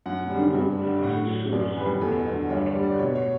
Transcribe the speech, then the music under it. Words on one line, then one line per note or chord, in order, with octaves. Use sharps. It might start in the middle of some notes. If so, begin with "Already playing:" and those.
The Bouble has its source in the northern part of the commune.
F#2 F#5
D3 G3
G2
D3 G3
A2 F#5
F#3
F#2 D5
E3 G3 B4
E2 A4
D3 F#3
G2 C#5
D5
D3 G3
D5
B2 C#5
C#5